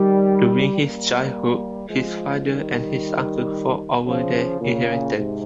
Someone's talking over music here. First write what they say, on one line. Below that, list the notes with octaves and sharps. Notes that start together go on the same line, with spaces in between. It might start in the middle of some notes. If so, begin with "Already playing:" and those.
During his childhood, his father and his uncle fought over their inheritance.
Already playing: D#3 G3
G3 A#3
F3 G#3
D#3 G3
C#3 F3
A#2 C#3
G#2 C3